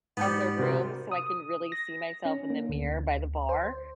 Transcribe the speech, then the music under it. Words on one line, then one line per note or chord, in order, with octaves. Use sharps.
of the room so I can really see myself in the mirror by the bar.
G#2 G3 B3 G6 C#7
C3 F#4 A#4 C5
D#6
A#6
C#4
A#3
D2
C5